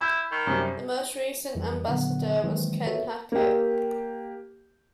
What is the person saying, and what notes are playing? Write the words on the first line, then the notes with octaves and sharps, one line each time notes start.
The most recent Ambassador was Ken Hackett.
E4 B5 E6 G6
D#3
F#2 C3 G3
F2 E3 G3
A#2 D3 F#3 B3 E4 F#5
D#3 E3 F#3 G#3 A#3 C4
F#4 A4 B4 C#5 E5
A#3 G4